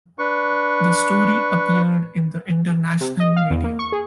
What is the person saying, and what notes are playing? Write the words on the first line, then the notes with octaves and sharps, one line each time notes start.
The story appeared in the international media.
D4 B4 C#6
C3
D#5
F5
E2
A#3
C#6
G#4